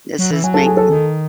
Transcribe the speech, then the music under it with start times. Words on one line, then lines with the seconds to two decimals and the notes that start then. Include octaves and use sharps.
this is making
0.19 F#3
0.31 E3
0.43 F#3 G#5
0.54 A4 A5
0.66 G#4 G#5
0.77 A4 A5
0.89 D#3